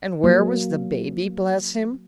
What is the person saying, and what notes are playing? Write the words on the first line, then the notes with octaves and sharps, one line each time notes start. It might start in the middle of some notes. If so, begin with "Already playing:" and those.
And where was the baby, bless him?
F#3 A#3